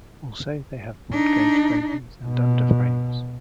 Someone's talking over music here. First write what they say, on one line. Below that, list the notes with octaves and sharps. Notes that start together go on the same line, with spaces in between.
Also, they have Broad Gauge bogies and under-frames.
D4 D#4
B2